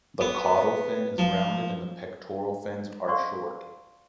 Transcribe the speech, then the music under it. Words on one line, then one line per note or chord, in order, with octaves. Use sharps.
The caudal fin is rounded and the pectoral fins are short.
B3
F3
C5 D5 F5 F#5 C6 C#6